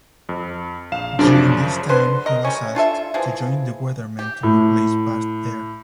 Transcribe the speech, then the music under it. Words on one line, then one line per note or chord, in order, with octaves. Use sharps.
During this time he was asked to join The Weathermen to replace Vast Aire.
F2
A#1 F5 E7
F#2 C#3 F3 D4
D3 B4 C5 C6
A#4 D#5
G3 C#4
D4 F4 A4 E5
E3 F3 G#3
G4
A2